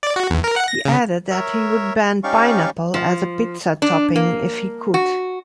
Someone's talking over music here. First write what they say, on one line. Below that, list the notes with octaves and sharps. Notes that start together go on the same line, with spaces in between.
He added that he would ban pineapple as a pizza topping if he could.
D5
F#4
E2
A#4
F#5
A#6
C#3
A#4 C#5 E5
C#4 D#4 G4 D5 F5 C#6
F3
D4
A#3
F#4